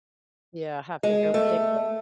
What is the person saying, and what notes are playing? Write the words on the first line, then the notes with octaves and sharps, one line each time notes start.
Yeah, have to go pick it.
G#3
A3